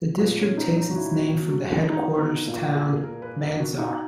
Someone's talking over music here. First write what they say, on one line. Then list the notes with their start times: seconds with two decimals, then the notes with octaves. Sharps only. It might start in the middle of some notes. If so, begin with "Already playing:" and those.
The District takes its name from the headquarters town, Mandsaur.
0.20 A#2 B3
0.39 C#4
0.57 D#4
0.76 D#4
0.91 F#4
0.95 E4
1.15 F#4
1.34 B2
1.47 F#4
1.62 F#4
1.76 E4
1.90 D#4
2.18 B3
2.47 A#2 A#3
2.75 G#4
2.83 A#4
2.93 G#4
3.04 A#4
3.22 B4
3.41 A#4
3.60 B2 F#4
3.78 D#4